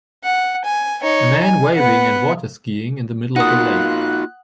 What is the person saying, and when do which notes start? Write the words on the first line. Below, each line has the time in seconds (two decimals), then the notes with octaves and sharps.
A man waving and waterskiing in the middle of a lake.
0.24 F#5
0.64 G#5
1.03 D#4 C#5
1.43 G#5
1.75 B3 F#5
3.36 A#3 D#4 F4 F#4 F#5 D#6 F#6